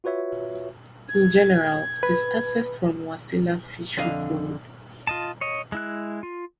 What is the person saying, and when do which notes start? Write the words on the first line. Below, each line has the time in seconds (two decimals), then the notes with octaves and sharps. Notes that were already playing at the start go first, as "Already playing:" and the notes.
In general it is accessed from wasilla fishhook road.
0.04 F4 F#4 B4 C#5 E5
1.09 G#6
2.03 B4
3.97 F2 D3 D5 D#5 F5
5.07 F4 D#5 A5
5.41 C#5 D#5
5.72 G#3 E4 F#6
6.23 F4